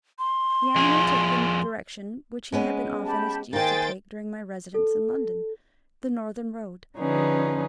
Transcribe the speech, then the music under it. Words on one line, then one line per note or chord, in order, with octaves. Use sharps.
The animal took the direction which he had been oftenest used to take during my residence in London--the northern road.
C6
F2 F3 G#4
G#3 B3 C#4
G4 A5 B5
D#3 A#3 G#4 C5 G5 G#5 A6
A4
D3 F3 C#4 D#4 G#4 B4